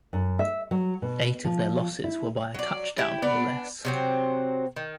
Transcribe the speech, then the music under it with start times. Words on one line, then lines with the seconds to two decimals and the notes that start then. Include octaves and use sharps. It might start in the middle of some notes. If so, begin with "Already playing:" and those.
Eight of their losses were by a touchdown or less.
0.13 F#2
0.39 E5
0.71 F#3
1.02 B2
1.45 F3
2.04 E4
2.54 F#3 D5
2.98 E4 G4
3.22 B3 D4 D5
3.85 C3 F#3 C4
4.76 D#3